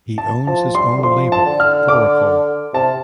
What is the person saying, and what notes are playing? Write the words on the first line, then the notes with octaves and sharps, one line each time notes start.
He owns his own label, Auricle.
A5
F3 A5
G3 C6
D3
F3 C6
A5
D3
F6
D6
C3 A5